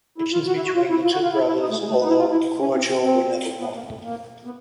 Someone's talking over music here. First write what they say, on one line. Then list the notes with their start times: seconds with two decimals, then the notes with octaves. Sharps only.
Relations between the two brothers, although cordial, were never warm.
0.18 E4
0.32 F4
0.47 F#4
0.56 E4
0.66 F#4
0.75 F4
0.90 E4
1.03 F4
1.12 F#4
1.22 F4
1.33 E4
1.46 E4
1.61 D#4
1.70 A3
1.79 G#3
1.89 A3
1.99 B3
2.03 D#4
2.08 E4
2.18 F4
2.31 E4
2.60 C#4
2.75 C4
2.89 C4
3.02 C4
3.60 B3
3.74 A#3
3.88 A3
4.02 A#3
4.45 B3